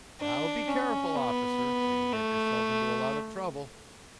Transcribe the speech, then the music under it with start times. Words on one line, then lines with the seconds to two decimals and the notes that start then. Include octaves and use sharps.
"Now be careful, officer, or you'll get yourself into a lot of trouble."
0.20 D4
0.68 C#4
1.16 B3
2.13 A3